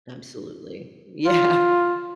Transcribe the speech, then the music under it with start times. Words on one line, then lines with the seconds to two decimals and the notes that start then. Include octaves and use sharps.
Absolutely. Yeah.
1.26 F4